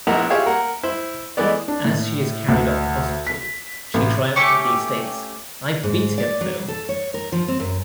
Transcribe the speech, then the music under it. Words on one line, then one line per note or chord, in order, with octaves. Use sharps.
As she is carried off to hospital, she triumphantly states: I beat him, Phil.
A#1 B3 E4 A#4 F#5 A#5
F4 G4 G#4 C#5 E5 F5
A#3 A#4 F#5
E4 C5
E3 G#3 A3 B3 D5
D4
A2
D2
B6
A1
A3 C#4 G4 C#6
G#2
D5
F#3
A4
C#5
A#4
F3
C4
F#2